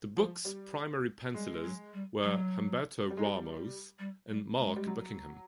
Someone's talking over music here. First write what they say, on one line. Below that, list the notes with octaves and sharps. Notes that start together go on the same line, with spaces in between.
The book's primary pencillers were Humberto Ramos and Mark Buckingham.
F3
G3
G3 G#3
F#3
G3
F#3
G3
G#3
G3
G3
G3
G#3
G3
F#3